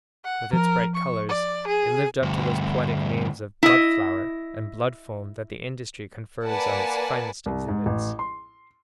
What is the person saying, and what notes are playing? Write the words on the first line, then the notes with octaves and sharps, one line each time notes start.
With its bright colors, it lived up to those poetic names of blood flower and blood foam that the industry confers on its finest exhibits.
F#5
F3 A#4
C#6
D5
G#4
D2 G2
E4 D#5
A#3 B4 D5 F#5 G#5 A5
C2
G#2
A1
C6